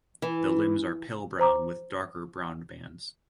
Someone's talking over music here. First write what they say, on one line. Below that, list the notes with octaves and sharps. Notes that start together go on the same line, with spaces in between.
The limbs are pale brown with darker brown bands.
E3
C5 A#5 D6